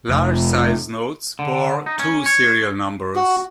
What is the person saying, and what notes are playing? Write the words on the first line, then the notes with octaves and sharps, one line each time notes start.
Large-size notes bore two serial numbers.
F1
D3
D#4
C#4
C#5
F#4